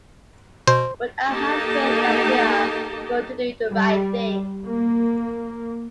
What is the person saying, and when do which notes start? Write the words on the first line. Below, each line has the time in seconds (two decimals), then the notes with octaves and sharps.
But I have faith that they are going to do the right thing.
0.67 B2 C5
1.27 A#3 D#4 G4 A4 D#5 A5
3.71 G3
4.65 A#3